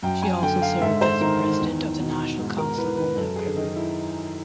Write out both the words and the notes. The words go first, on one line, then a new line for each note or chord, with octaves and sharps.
She also served as the president of the National Council of Women of Peru.
F#2 G5
G#5
D3 G5
F5
G#2 E5
C5
D#3 A#4
E2
B2
G#2
A#4
E3 B4
B4
F#2 A4
G#4
D#3 D#4
E4